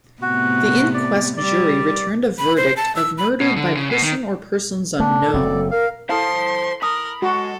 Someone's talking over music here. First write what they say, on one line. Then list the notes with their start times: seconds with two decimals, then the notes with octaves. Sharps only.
The inquest jury returned a verdict of murder by person or persons unknown.
0.22 A2 C3 B3 F#4
0.94 D5
1.37 G3 D5
2.38 B5
2.57 C5
2.77 A5
2.96 E6
3.18 B5
3.42 B2
3.57 D3
3.76 C#3
3.91 B2
4.03 D#3
5.00 A3 B3 D4
5.22 A#2 A4
5.33 F#1 F#3 C4 D5
5.71 A#4 F5
6.09 E4 A4 C5 F5 A5 C6
6.82 A#4 A5 B5 D#6
7.22 G#3 F#4 A4